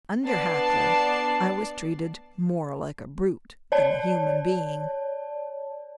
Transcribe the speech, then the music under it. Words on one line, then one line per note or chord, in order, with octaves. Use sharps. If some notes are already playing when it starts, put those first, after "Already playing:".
Under Hackler I was treated more like a brute than a human being.
B3 D4 D5 A5 C7
C#5 D5 A5